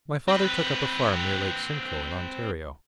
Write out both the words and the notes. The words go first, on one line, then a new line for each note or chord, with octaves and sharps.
My father took up a farm near Lake Simcoe, in Ontario.
C4 B4